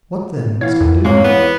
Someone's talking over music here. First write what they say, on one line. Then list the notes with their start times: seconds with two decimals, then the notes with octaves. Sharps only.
What then must he do?
0.61 E3 C#5 F5 F#5
0.80 F2 A#4
1.05 G#2 C3 G#3 A#3 C#5 C#6
1.24 E2 B3